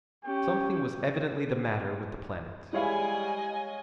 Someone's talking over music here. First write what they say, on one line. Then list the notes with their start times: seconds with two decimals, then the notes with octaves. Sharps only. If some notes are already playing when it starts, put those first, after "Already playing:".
Something was evidently the matter with the planet.
0.24 C#4 G4 G5
2.73 G3 G#3 E4 C#5 D#5 F5 G#5